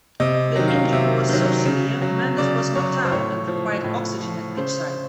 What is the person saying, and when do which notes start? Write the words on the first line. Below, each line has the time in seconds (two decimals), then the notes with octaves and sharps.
The injury was so severe Mendes was knocked out and required oxygen at pitchside.
0.20 C3 D#5
0.56 D#3 F#3
0.68 F5
0.93 C3 E5
1.29 D#3 F#3
1.65 C#3
2.02 F#3
2.38 C#3 D5
2.76 F#3 C#5
3.04 C5
3.12 A2 C#5
3.48 F3
3.84 A2
4.21 F3
4.57 C#3 C5